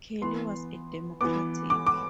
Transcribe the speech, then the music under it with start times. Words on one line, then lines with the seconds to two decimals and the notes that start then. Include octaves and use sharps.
Kelly was a Democrat.
0.21 E3 B3 C6
1.21 E3 B3 D6
1.70 D6
1.87 D6